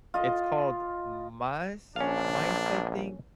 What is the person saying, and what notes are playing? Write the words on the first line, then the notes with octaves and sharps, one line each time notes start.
it's called mas maíz, I think.
F4 D#5
A#1 C#4 D4 F5